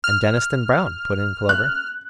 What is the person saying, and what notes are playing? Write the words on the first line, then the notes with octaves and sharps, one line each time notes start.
"And Deniston Browne," put in Clover.
F6
F#6